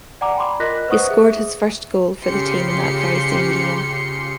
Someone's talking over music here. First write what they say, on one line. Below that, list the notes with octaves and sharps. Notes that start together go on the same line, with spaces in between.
He scored his first goal for the team in that very same game.
D5 F#5 G#5 A#5 D6
G5 B5 C6 D6
F4 A#4 D#5 F#6 A#6 B6
B4 C5 F#5 C#6 D#6 F#6
G#4 E5
C#3 F4 G4 C6 C#7